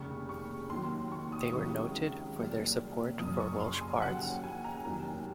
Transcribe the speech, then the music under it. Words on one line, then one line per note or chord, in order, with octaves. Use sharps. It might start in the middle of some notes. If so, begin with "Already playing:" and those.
They were noted for their support for Welsh bards.
Already playing: F1 D#2 C#3 C#6
C#6
D#2 D#3 F#3 C6
C#6
D#6
C#2 C3 D#3 F#3 C#6
C2 A#2 F#3
F#1 F#2 F3 D#6
C#6
C6
G#5
D#2 C#3 F#3 F#5
G#5
G#5
A#5
F1 D#2 D#3 F#3 G#5